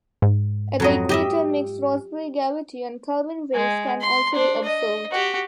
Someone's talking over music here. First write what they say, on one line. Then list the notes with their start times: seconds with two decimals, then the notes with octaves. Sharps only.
At the equator, mixed Rossby-gravity and Kelvin waves can also be observed.
0.22 G#2
0.80 F2 F#3 D#5
1.09 G4 D#5 E5
3.54 G#3
4.01 C6
4.33 D4 C5
4.64 D#5
5.11 F#4 G4